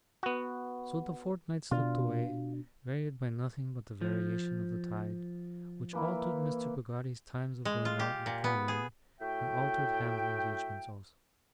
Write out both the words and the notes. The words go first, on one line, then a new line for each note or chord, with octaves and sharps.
So the fortnight slipped away, varied by nothing but the variation of the tide, which altered Mr. Peggotty's times of going out and coming in, and altered Ham's engagements also.
B3 F#4
B2 D4 F4
F3
E3 A#3 E4
G#3
F4
G4
A#2
B3
G#4
A2 F#4 E5 G5